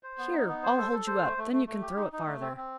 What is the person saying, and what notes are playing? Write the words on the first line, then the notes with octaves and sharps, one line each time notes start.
Here, I'll hold you up, then you can throw it farther.
C5
B3
D#4
B3
C5
A4
A4
C5
A3
A3
A3
A3
G4
D#4
D#4
A3
C4
C4